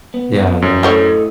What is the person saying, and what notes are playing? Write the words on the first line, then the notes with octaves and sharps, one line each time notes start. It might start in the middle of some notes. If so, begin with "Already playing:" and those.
Yeah, yeah.
B3
F#2
A2 E4 A4 C5 C#5 D#5